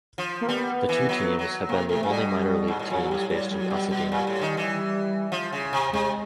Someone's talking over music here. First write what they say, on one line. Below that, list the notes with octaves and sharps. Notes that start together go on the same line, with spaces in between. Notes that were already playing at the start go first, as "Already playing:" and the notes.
The two teams have been the only minor league teams based in Pasadena.
F3
A#3
G3 B3
E3
F#3
F#3
C3 A#3
C3 A3
A#2
B2 G3
G#2
A2
A#2 F#3
F#3
A2 G3
A2 G3
A2 G3
F#3
B2 G3
B2
A#2
A2
D#3
E3
F3
C#3
C3
C3 G#3